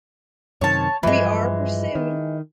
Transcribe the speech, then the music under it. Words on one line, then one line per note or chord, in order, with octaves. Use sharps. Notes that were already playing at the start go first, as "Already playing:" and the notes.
We are pursued.
F#2 C3 D#3 C#5 A5
G2 E3 F3 G#3
D#3